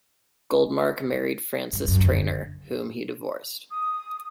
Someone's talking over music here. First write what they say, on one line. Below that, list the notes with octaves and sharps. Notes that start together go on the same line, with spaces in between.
Goldmark married Frances Trainer, whom he divorced.
G2
F#2
D3
D#6